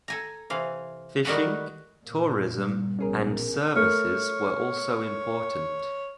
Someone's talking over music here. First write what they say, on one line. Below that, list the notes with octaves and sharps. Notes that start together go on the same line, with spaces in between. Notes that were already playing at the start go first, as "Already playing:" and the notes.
Fishing, tourism and services were also important.
A4 G#5 A#5
C3 E3 F5
D#3 G3 F#4 A4 B4
G1 A#2
G3
A#1 B2 C#4 G#4 A#4
A3 A#4 C#5 F6